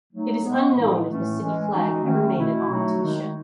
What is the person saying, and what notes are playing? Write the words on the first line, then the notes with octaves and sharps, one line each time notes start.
It is unknown if the city flag ever made it on to the ship.
F#3 A3 D#4
B2 G#3 B3
A2 E3 G#3 D#4
A2 E3 A3 C#4
E3 G#3 C#4
E3 G#3 D#4 F#4
D#3 A3 C#4
B2 A3 E4
F#3 A3 D#4 F#4
D#3 G#3 D#4